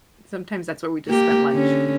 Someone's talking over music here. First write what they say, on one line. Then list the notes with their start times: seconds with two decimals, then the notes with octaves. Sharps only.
Sometimes that's where we just spent lunch.
1.08 A#3 G4
1.51 D3 C#4